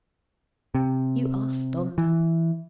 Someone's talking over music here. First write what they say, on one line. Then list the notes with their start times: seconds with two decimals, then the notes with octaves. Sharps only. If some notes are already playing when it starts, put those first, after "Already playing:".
You are stunned.
0.75 C3
1.98 E3